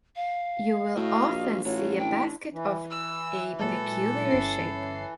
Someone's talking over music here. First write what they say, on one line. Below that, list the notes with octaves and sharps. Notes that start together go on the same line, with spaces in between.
You will often see a basket of a peculiar shape.
F5
A2 F#4 D#5 F5
A#1
A1 F4 F#4 C#5
D4 E4 G5
E3
E6
A#2 F#3 G#3 A4
G1 C#4 C7